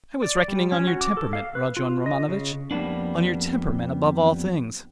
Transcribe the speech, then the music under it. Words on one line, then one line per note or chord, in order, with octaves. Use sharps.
I was reckoning on your temperament, Rodion Romanovitch, on your temperament above all things!
D5
G3
C#4
F#4
D6
A4
F5
B4
F4
D#5
C#3
F2 G3 A#3 B3 D4